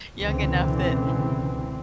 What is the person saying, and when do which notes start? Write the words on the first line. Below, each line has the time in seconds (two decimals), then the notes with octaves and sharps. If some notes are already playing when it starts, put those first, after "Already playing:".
young enough that,
0.17 C#2 B2 D3 E3 C4